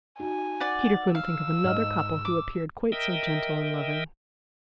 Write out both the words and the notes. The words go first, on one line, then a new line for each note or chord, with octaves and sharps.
Peter couldn't think of another couple who appeared quite so gentle and loving.
D#4 F#4 G#5
D5 F#5
F5 E6
G#2 D#5 F6
D6
A#4 D#5 E5 G5